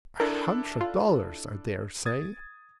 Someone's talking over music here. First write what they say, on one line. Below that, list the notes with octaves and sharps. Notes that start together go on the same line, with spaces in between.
'A hundred dollars, I dare say.
D4 E4 A4 A#4
F4
D#6 G#6 A6